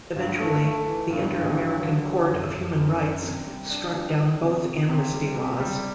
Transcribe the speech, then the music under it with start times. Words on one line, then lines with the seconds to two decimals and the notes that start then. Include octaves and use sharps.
Eventually, the Inter-American Court of Human Rights struck down both amnesty laws.
0.16 G2
0.39 A3
0.62 A3
0.86 E3
1.10 G2
1.35 G2
1.58 F#3
1.81 D3
2.05 F#3
2.29 F#2
2.53 F#2
2.76 F#2
3.00 D4
3.24 C3
3.47 G3
3.71 D4
3.94 G3
4.18 D4
4.42 C3
4.65 C3
4.89 C3
5.13 G3
5.36 C3
5.60 G3